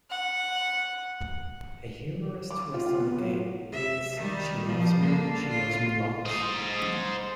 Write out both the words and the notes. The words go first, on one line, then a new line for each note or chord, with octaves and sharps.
A humorous twist on the game is She loves me, she loves me lots.
F#5
D6
F4
F4
B3
F#3
E5
D#3 G3
F3 G3
D3 A#3
F4
C5 D#5